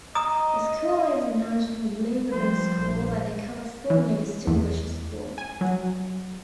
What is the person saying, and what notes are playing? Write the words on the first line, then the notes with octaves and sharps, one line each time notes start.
The school is a National Blue Ribbon School and a California Distinguished School.
D#5 A#5 D#6
F3 G3 C5
A#1
E3
E2
G#5
F#3